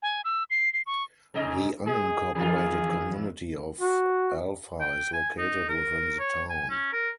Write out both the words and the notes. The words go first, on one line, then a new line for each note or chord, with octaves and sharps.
The unincorporated community of Alpha is located within the town.
G#5
E6
C7
C7
C#6
G#2 C3 D#5
G#3 G#4
E2 D#3 F4 G#4
F#4
G5
G#5
D#4
A#4
C#5
G#5
C#4
A#4